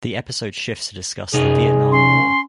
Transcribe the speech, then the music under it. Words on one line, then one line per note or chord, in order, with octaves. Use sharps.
The episode shifts to discuss the Vietnam War.
F#2 C3 D#4 G#4
C#4 C6